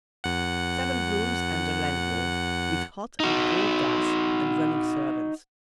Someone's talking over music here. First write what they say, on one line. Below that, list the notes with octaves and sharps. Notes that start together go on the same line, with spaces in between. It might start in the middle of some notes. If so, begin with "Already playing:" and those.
Seven rooms and a landlord, with hot and cold gas and running servants.
F2 F#5
D#4 F#4